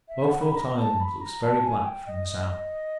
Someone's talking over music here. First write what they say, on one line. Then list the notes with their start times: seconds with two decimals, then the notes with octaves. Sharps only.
Beaufort Island looks very black from the south.
0.08 E5
0.24 F#5
0.40 B5
0.51 B5
0.56 A#5
0.78 A5
1.00 B5
1.21 A#5
1.42 A5
1.64 G#5
1.84 G5
2.06 D#5
2.28 D#5
2.49 D#5